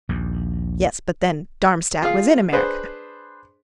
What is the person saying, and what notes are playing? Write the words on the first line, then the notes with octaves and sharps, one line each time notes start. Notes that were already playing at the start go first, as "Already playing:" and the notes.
Yes, but then, Darmstadt was in America.
A#1 D#2
F4 G#4 F5
D4 G#4 B4 C5